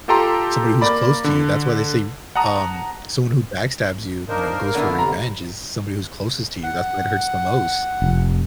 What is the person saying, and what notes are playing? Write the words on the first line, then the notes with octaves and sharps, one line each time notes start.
somebody who's close to you. That's why they say, um, someone who backstabs you, you know, goes for revenge, is somebody who's closest to you, that's why it hurts the most.
F4 G4 A4 G5 A#5 C6
A#3 D5 B5
D3
F#5 A5 A#5 D#6
A#3 D4 D#4 A#4 C5
D3 B3 E4 F#4 A4 F5
D#2 C3 A#5
F#5
F1